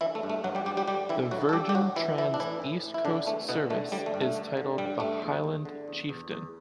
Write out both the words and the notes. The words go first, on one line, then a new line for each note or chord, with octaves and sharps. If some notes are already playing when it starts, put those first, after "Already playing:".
The Virgin Trains East Coast service is titled 'The Highland Chieftain'.
D3 E3 E4
A3
G2
A3
G2 F#3 F#4
G3 G4
G2 G3 G4
G3 G4
D3 G3 G4
D3 E3 E4
D3 F#3 F#4
A4
D3 G3 G4
G4
A2 F#3 F#4
E3 E4
E3 E4
D4
A2 E3 E4
A2
E3
E4
A2 D3 D4
E3 A3
B2 D3 B3
D3 A3
D3 G3
A3
G2
A3
D3
D3
G2 G3
G2 A3
E2
E2
D3
E2
E2
E2